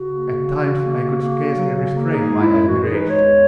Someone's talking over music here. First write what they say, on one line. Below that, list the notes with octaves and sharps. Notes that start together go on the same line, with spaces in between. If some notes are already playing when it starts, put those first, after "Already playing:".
At times I could scarcely restrain my admiration.
Already playing: C#3 F#4
A#3
C#3
E3
C#3
A#3
C#3
A#3
C#3
F#3
C#3
A#3
D#4 G#4
G#3
E4
F#2
E3 F#4
D#4 G#4
A#4
B4
G#3 C#5
E2